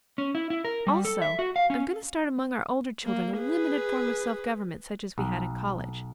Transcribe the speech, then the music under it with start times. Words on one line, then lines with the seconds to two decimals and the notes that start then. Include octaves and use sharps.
Also I am going to start among our older children a limited form of self-government such as we had in college.
0.18 C#4
0.35 E4
0.50 E4
0.65 A#4
0.87 G3
1.05 A4
1.22 E5
1.39 F#4
1.56 F5
1.70 C#4
3.04 A#3
3.38 G#4 B4
5.18 B1